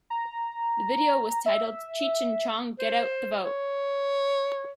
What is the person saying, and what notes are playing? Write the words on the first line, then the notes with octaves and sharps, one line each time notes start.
The video was titled "Cheech and Chong Get Out the Vote!".
A#5
E5
C5
C#5